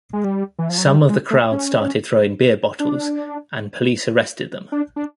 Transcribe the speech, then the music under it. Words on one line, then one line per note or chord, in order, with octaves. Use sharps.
Some of the crowd started throwing beer bottles and police arrested them.
G#3
G3
E3
F3
F#3
G3
G#3
A3
C#4
D4
D4
D4